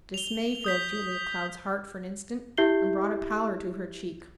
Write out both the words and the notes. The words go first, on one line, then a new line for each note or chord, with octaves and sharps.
Dismay filled Julia Cloud's heart for an instant, and brought a pallor to her cheek.
F7 G7
D#6 G6 B6
E4 G4 E5 G6 C7 G7